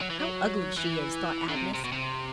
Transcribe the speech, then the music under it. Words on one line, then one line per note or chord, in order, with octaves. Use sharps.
"How ugly she is!" thought Agnes.
F#3
E3
F#3
E3
D3
C3
C3
B2
C3